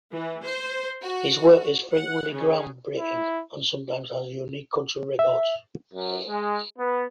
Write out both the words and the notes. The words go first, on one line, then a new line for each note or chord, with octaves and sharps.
His work is frequently groundbreaking and sometimes has unique cultural records.
E3
C5
F#4
F#5
C#3
E4
E5
F#2
G#3
B3